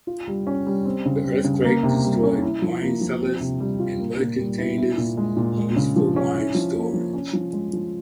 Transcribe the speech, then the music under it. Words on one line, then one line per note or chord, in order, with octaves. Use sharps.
The earthquake destroyed wine cellars and mud containers used for wine storage.
F4
G3
C#4
G3
C4
C#3
G3
C#3
A#3
C3
G3
C#4
E4
F3
A#3
F3
C4
C3
G3
F4
A#3
A#2
G3
E4
E4
A#2
G#3
A#2
G#3
C#3
F3
C#4
E4
F3
A#3
F3
C#4
F3
G#3
F3